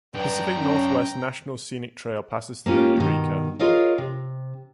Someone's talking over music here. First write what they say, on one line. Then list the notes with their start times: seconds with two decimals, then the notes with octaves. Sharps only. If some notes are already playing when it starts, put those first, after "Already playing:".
The Pacific Northwest National Scenic Trail passes through Eureka.
0.14 F#2 D4 B4 G5 A#5
0.59 C#4
2.66 A#3 B3 C#4 F4 G4
2.97 G2 B2 D#3
3.59 F4 G#4 A#4 C#5 D#5 F5
3.98 C3